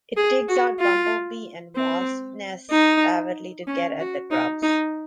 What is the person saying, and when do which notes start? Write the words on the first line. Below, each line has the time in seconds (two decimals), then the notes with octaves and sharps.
It digs out bumble bee and wasp nests avidly to get at the grubs.
0.17 G#4
0.48 F#4
0.80 F4
1.76 C4
2.71 D#4
3.67 C#4
3.99 F#4
4.31 D#4
4.63 D#4